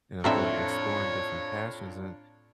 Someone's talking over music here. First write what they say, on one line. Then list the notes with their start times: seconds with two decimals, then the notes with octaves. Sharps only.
and I've been exploring different passions, and
0.24 F2 A2 C4 D4 F4 C#5 E5 A#5